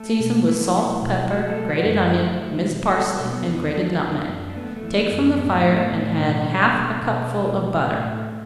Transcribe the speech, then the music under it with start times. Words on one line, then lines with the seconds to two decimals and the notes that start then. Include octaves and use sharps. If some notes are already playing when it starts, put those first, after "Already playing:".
Season with salt, pepper, grated onion, minced parsley, and grated nutmeg, take from the fire and add half a cupful of butter.
Already playing: A3 A4
0.20 B2
0.48 A3 E4
0.75 F#3
1.02 B2
1.29 A3 F#4
1.50 A4
1.57 F#3
1.70 F#4
1.83 F#2
1.91 D4
2.11 A3 E4
2.38 F#3
2.65 B2
2.92 F#3 A4
3.20 B2
3.33 B3
3.44 E2 D4
3.55 B3
3.74 A3 D4
4.01 E3
4.28 F#2
4.50 D4
4.56 A3 B3
4.76 A3
4.83 E3
4.97 B3
5.11 F#2
5.18 B3
5.37 A2 B3
5.51 F#4
5.58 E4
5.65 A3
5.78 B3
5.92 A2
6.00 D4
6.19 B2 D4
6.48 A3
6.74 B2
7.02 B2
7.28 A3
7.56 B2
7.83 A2
8.11 A3